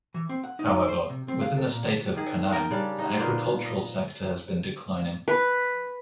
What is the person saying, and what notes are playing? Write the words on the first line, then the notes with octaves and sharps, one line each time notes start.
However, within the State of Penang, the agricultural sector has been declining.
E3
C4
F#5
D#4
D#4
C5
C3
C4
F5
A4
A#2
D#3 G#4
A#4 D#5 G5
C#3 G3 D4
D#4
A#2 A#3 B3 C5
D#5
B4